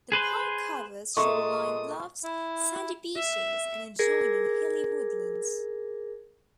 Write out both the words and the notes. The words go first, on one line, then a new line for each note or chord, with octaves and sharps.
The park covers shoreline bluffs, sandy beaches and adjoining hilly woodlands.
G#4 B4 C5
A#2 G#3 A3 C#6 D#6
E4
E5
G#4 A#4 G#6 A#6